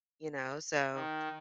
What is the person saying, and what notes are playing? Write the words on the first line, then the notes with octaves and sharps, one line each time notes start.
You know? So
D#3